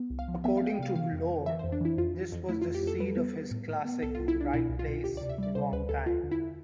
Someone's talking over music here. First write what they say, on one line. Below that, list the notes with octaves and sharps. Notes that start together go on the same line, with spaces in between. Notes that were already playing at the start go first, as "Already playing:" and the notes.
According to lore, this was the seed of his classic, Right Place, Wrong Time.
Already playing: B3
C2
F5
F3
B3 E5
F5
B3
G5
C3 F5
E3 F5
F2
E3
E3 E5
C5
F2
D4
E3 E4
F2 F4
E3
F2
A3 E4
F4
F2
G4
F2 A4
G3 B4
B3
B3
A2
A2
B3
C2 A4
F4
C2
E4
C2 D4
B2 E4
C2
F4
B2
D2 G4
D5
C3
E5
G3 D5
C3 C5
D2 B4
D2 A4
E2 F4
D3
E4